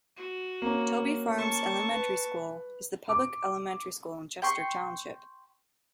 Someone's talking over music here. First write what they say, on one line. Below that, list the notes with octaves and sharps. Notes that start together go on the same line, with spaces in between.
Toby Farms Elementary School is the public elementary school in Chester Township.
F#4
A#3 C#4
A5 C#6
B4
D6
G5 C6 C#6